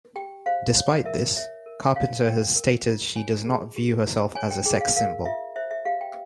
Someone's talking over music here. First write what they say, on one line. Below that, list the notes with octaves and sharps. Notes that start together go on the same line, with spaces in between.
Despite this, Carpenter has stated she does not view herself as a sex symbol.
G4 G5
C5 F5
C#5
A#4 E5
C#5 E5
A#4
C#5 F5
A#4 G5
A#4
F4
C#5 G#5
G#4
G4
E4
C#5 G#5
G5
G#4 G5
F5
A#4 F5
F4 E5
C5 E5
E5
G4 F5
G5